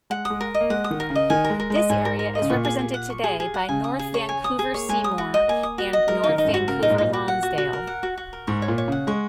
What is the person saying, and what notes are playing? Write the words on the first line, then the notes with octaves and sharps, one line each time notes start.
This area is represented today by North Vancouver-Seymour and North Vancouver-Lonsdale.
G#3 F#5
D#6
G#3
A#4
D#5
A#3
G#3 F#5
D#6
D#3
A#4
C#3
D#5
D#3 G#5
A#4
G#3
A#4
G#3
D#5
G#2 G#5
A#4
A#4
D#5
C#3
A#2 C#6
G#4
G#4
F#5
C#6
G#4
G#4
F#5
C#3 G#5
D#6
G#4
C#5
G#5
D#6
G#4
A#3 C#5
G#3 G#5
D#6
F#4
D#5
A#3 G#5
D#6
F#4
D#5
F#3 A#4
D#4
D#3
D#4
F#2
G#2
F#4
C#3 A#4
A#2 D#4
G#2
A#2 D#4
F#4
F#5
F#4
F#4
A#4
F#5
F#4
F#4
A#4
G#2 C#6
C#5
A#2
C#5
C#3 F#5
G#3 C#6